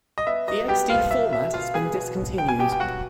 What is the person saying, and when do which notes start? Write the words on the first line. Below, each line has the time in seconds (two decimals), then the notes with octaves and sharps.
The xD format has been discontinued.
0.18 D#5
0.26 B3 E5
0.48 F#3 D#5
0.68 B3 G4 G5
0.90 C2 F4 F5
1.11 F#3 E5
1.32 B2 E5
1.53 B2 F4 F5
1.74 B3 G#4 G#5
1.95 B2
2.17 B2
2.38 B2 G5
2.49 G#5
2.59 B2 G4 G5
2.72 G5
2.80 F#3 F#4 F#5